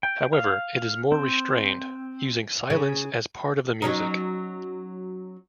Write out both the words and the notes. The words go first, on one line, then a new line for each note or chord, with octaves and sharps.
However, it is more restrained, "using silence as part of the music".
G5
F5
C4
C#3
F#3 C#4 D#4